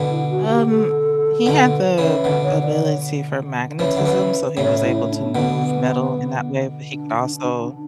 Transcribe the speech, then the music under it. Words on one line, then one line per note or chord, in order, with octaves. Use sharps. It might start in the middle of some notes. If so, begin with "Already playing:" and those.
Um, he had the ability for magnetism, so he was able to move metal in that way, but he could also
Already playing: B2 D3
E4
F#4
G4
A4
B2 D3
C#3 E3
B2 D3
C#5
D5
C#5
C#3 E3
D3
C#3 E3
A2 C#3 C#5
E4
D4
B2 D3 B3
D4